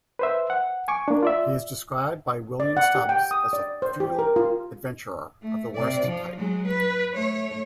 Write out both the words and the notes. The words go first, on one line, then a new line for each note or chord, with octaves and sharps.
He is described by William Stubbs as "a feudal adventurer of the worst type".
B4 C5 E5
F#5
G#5 C#6 D6
A#3 D4
F4 D5 E5
D5
F#5
G4
G5
D#6
D5
C5
G4
A#4
F4
A3
C3 D5
F3
F#3 G#3
B4
A3 C#5